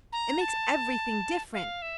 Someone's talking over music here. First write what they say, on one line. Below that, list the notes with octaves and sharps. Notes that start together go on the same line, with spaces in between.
It makes everything different.
A#5
A5
F5
E5